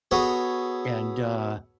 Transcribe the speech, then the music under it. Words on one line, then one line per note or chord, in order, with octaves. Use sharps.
And, uh,
B3 F#4 G#4 A4 C#5